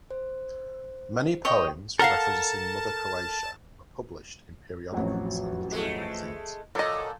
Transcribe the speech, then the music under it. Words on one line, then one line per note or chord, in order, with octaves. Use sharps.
Many poems referencing Mother Croatia were published in periodicals and literary magazines.
C5
C#5 D#5 G5
A4 A#4 F5 F#5 A5 A#5
A1 F2 F#3
G#3 A3
A#2 F#3 A4 D#5